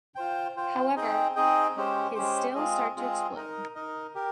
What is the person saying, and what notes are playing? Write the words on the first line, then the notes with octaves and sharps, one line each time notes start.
However, his stills start to explode.
F4 C5 G5
F4 C5 G5
C4 D#4 G#4 D#5 G5
C4 D#4 G#4 D#5 G5
G#3 C#4 G4 C5
G#3 C#4 G4 C5
G#3 C4 F4 G#4 D#5
G#3 C4 F4 G#4 D#5
D#4 A#4 D#5
D#4 A#4 D#5
G4 A#4